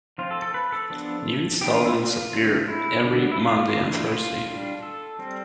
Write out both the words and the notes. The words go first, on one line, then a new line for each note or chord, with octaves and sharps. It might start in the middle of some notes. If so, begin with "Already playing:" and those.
New installments appear every Monday and Thursday.
F3 C4 F4
A4
A4
B4
A4
F3 B3 D4
E3 B3 D4 G4
F4
E4
G4
F4
D3 A3 C4
E4
D3 G3 B3
E4
F4
E3 A3 D4
E4
F4
G3 D4
A4
G3 C4